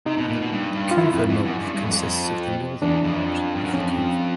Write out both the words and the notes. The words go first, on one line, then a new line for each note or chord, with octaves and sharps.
Couva North consists of the northern part of the Couva.
C3 D#4
B2
A#2
B2
G2
G2
F4
F#2 E4
F2
F2
F#2
G2
G2
E2
F2
E2 D4
F2
G2
F#2
F2 C#4